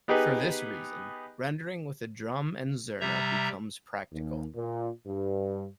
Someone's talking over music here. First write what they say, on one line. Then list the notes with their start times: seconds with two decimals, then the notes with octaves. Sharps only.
For this reason, rendering with a drum and zurna becomes practical.
0.08 B3 D#4 G4 G#4 B4
3.01 C3 G3 E5 A#5
4.12 D#2
4.55 A#2
5.07 G2